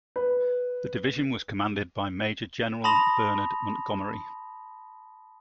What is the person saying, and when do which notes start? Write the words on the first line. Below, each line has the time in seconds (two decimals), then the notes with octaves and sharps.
The division was commanded by Major-General Bernard Montgomery.
0.16 B4
2.84 A5 B5 C6 D#6 A#6 F7